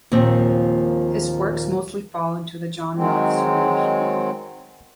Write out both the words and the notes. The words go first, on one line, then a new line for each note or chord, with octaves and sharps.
His works mostly fall into the genre of surreal humor.
D#2 A#2 F3 C4
D#3 F#3 G#3 C4